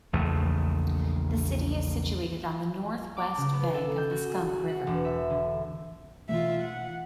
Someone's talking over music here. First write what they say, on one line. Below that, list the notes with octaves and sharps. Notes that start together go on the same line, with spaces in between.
The city is situated on the northwest bank of the Skunk River.
A#1 E2 C#3 A3
D6
C#3
B3
A4
G6
F#4
G#4
F#4
F#5
E1
E5
D3
B2 E3 A3 F4 E5
F#5